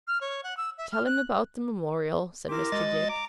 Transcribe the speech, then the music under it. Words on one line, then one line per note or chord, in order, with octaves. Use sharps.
'Tell him about the Memorial,' said Mr. Dick.
F6
C#5
F#5
E6
E5
F6
F#6
E4 G4 A#4 C6 D6
G#3 F#4 D#5 A6
D#6
A#5 D6